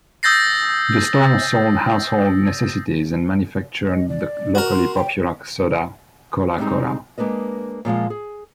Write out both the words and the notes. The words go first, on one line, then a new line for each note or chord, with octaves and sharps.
The store sold household necessities and manufactured the locally popular soda, Kohlah Cola.
D#6 E6 G6 A6 A#6 C7
D#5
D5
F#4 A#4
C6
G5
G3 G#3 C4 D#4 G#4
G#3 A#3 D4 B4 D#5
A#2 F3 G#3 F5
G#4